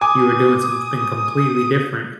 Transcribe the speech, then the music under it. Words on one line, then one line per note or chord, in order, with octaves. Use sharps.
you were doing something completely different,
G#5 D6 D#6